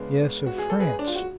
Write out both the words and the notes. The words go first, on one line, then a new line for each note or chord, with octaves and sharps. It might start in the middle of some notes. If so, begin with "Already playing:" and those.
Yes, of France.
Already playing: C#3 G#3 B3 D4
F#4
G#4
A4
G#4 B4
D4
F4
F#4